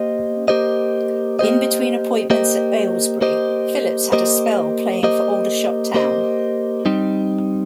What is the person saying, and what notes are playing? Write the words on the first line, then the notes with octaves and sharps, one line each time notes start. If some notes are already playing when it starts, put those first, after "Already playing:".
In between appointments at Aylesbury, Phillips had a spell playing for Aldershot Town.
Already playing: A#3 G4 C5 D#5
A#3 G4 C5 D#5
A#3 G4 C5 D#5
A#3 G4 C5 D#5
A#3 G4 C5 D#5
A#3 G4 C5 D#5
A#3 G4 C5 D#5
A#3 G4 C5 D#5
G3 C4 D#4